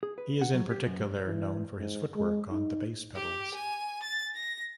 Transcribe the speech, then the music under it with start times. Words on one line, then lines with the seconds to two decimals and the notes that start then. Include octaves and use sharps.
He is in particular known for his footwork on the bass pedals.
0.03 G#4
0.18 B4
0.42 F#5
0.54 F#3
0.71 G4
0.87 F#2
1.27 E3
1.79 G#2
2.16 G#3
2.51 D#4
3.15 G4
3.55 G#5
4.03 A6
4.35 A#6